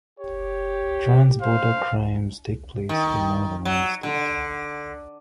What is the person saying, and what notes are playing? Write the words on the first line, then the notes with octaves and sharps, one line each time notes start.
Transborder crimes take place in more than one state.
G4 C#5
C5 F5
D#3
F#3
D3